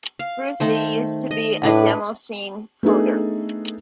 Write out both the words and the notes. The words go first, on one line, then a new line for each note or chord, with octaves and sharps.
Brussee used to be a demoscene coder.
F5
D#3 A3 C5
D#5
A2 D4 E4 B4
A3 B3 D4 D#4 G#4 A4